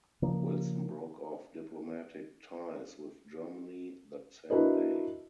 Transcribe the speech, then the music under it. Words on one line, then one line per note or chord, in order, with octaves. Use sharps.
Wilson broke off diplomatic ties with Germany that same day.
C#3 F3 A#3
D4 E4 F#4 A#4 B4 D#5